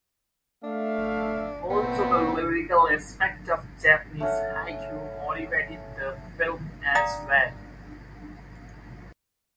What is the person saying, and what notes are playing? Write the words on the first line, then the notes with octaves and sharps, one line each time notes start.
Also the lyrical aspect of Japanese Haiku motivated the fim as well.
A3 D4 E5 F5
A#2 A3 B3 C4
A3 C#4 F#5
D5 F5 G5 A#5 D6 D#6